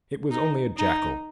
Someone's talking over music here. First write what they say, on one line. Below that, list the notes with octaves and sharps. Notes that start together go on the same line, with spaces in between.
It was only a jackal.'
D#4
D#4